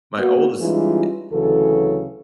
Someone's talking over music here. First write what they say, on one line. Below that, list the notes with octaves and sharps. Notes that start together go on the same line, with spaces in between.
My oldest i
A#3 B3 F#4
E3 G3 G#3 C#4 D#4 F4
D2 C#3 E3 F#3 A4